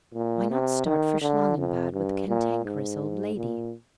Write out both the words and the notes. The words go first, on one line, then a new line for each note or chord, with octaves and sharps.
Why not start for Schlangenbad with the Cantankerous Old Lady?
A#2
C3
D#3
D3
F2
G2
A#2
G#2
A#2